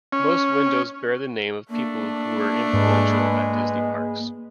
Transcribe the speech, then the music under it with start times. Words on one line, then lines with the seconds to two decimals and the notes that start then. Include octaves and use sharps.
Most windows bear the name of people who were influential at Disney parks.
0.13 C#4
1.70 A3 A#3 D4
2.73 G#2 G#3 B4